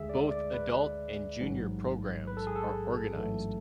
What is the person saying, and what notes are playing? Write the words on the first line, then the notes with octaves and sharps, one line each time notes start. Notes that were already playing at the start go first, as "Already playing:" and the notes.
Both adult and junior programmes are organized.
Already playing: D2 D3 G#3 G#4 E5
D5
D5
B4
A1 G#2 F#3
B4
A4
G#4
A4
A1 G#2 F#3 A3